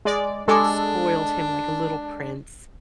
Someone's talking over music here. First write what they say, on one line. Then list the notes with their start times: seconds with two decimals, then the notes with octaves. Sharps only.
spoiled him like a little prince.
0.05 G#3 D5
0.48 G#3 D4 G4 A4 G#5 D6